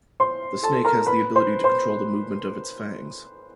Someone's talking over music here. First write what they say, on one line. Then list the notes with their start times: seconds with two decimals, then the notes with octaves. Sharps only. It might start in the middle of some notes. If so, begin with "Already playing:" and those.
The snake has the ability to control the movement of its fangs.
0.20 C5 C6
0.63 A4 A5
0.85 A#4 A#5
1.06 B4 B5
1.36 C5 C6
1.64 C5 C6